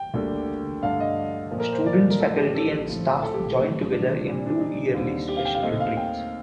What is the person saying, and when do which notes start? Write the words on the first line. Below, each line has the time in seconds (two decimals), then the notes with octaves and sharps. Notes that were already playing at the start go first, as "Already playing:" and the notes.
Students, faculty, and staff join together in two yearly special retreats.
Already playing: G5
0.14 D2 D3 G3 A#3
0.83 G2 D3 A3 F5
1.00 D#5
1.51 A#2 F3 A#3
1.60 A#4
1.72 C5
1.86 D5
2.10 A#4
2.19 A2 F3 A3 A4
2.37 G4
2.54 A4
2.89 A2 F3 C4
3.23 A4
3.34 G4
3.57 A2 A3 C4
3.91 D4
4.26 A#2 G3 C4
4.46 D4
4.60 D#4
4.94 D#2 D3 G3 C4
5.28 G4
5.37 F5
5.45 G5
5.55 F5
5.62 D#2 D#3 A3 C4 D#5
5.80 F5
5.97 G5